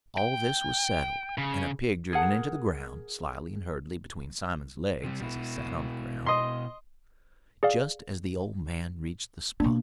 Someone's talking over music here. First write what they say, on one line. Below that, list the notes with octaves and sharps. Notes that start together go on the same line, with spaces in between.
All this was settled, and a pig driven into the ground, slyly and hurriedly, between Simon's legs as he sat on the ground, just as the old man reached the spot.
G5
C#3
G#4 A#4 F#5
C3 G3
B2 E4
D#5 C6
G#4 D5 F5
B2 A#3 D4